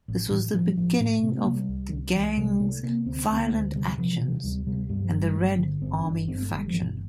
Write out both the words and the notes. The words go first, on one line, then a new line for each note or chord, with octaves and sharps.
This was the beginning of the gang's violent actions, and the Red Army Faction.
A1
A2 E3
A2 F3
A1 F3
A2
C3 C4
A#3
C3
G3
C2
C2
C2 E3
C3 G3
C3 A3
C3 A#3
D2 C4
C4
D2
A#3
D2 A3
C3 G3
C3 F3
E3
C3
E3
D2 G3
C3 G3
G2 G3
F3
G1
G3
G1 A3
D3
G1 C4
G1 D4
G2 C4
A3
G1
G3
F3
G1 E3